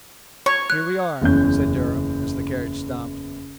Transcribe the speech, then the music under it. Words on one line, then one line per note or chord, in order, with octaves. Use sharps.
"Here we are," said Durham, as the carriage stopped.
C#5 C#6
F#6
F#1 E2 C#4 G6